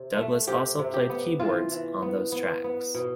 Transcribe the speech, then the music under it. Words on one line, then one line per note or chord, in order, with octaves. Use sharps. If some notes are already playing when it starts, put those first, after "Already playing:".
Douglas also played keyboards on those tracks.
Already playing: C3
A3
C3 G4
C3
G4
B3
E3 F4
E3
B3
B3
B3
B2